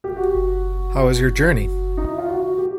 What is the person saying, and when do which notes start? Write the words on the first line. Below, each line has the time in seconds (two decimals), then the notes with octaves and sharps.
How was your journey?
0.04 G4
0.16 F#4
1.97 D#4
2.08 E4
2.18 F4
2.29 F#4
2.58 G4